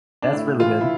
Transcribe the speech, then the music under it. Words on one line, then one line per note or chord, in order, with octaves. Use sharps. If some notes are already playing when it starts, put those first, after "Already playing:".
that's really good.
D4
A2 E4
E3 F4
E4